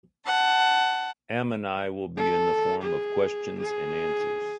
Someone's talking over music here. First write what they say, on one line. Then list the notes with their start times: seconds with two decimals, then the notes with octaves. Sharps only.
Ammanai will be in the form of questions and answers.
0.25 F#5 A5
2.17 A4
2.82 G#4
3.59 G#4